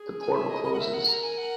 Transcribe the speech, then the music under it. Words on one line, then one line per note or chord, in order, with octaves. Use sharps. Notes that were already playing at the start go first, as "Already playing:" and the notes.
The portal closes.
Already playing: G#4
G#5
E5
D#5
A#4 D#5
F#5
E5
F#5
A#4 A#5
G#5
F#5